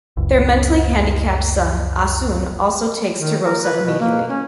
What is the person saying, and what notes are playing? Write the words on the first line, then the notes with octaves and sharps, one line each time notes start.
Their mentally handicapped son Ah Soon also takes to Rosa immediately.
F#1 C#2
D#3
A#4
B4
B2
A#3
C#4